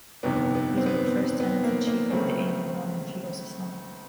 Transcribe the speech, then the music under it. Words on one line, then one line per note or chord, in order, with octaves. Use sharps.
These were the first tenants-in-chief of the Anglo-Norman feudal system.
G1 F2 C3 D#3 B3
B3
C4
B3
C4
B3
A#3
A#3
C#2 C#3 F#3 A3 C4